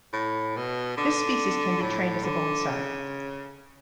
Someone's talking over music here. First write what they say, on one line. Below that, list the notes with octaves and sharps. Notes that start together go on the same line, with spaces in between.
This species can be trained as a bonsai.
A2
B2
D3
A2
D3
C#3